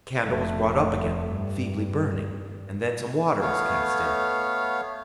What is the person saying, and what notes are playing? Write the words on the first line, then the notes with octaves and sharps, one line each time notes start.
The candle was brought up again, feebly burning, and then some water was cast in.
F1 A3
G2
A3 B3 C#5 F5